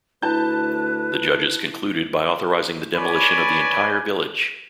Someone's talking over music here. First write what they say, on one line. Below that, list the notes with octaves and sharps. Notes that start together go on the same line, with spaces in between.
The judges concluded by authorizing the demolition of the entire village.
D2 E4 B4 A5 G6
B4 C#5 D5 G#5 B5